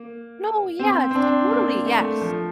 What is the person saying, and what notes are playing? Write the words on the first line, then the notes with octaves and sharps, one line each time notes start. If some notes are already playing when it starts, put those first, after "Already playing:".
No, yeah, totally, yes.
Already playing: A#3
C4
C4
D4
A#3
A3
F3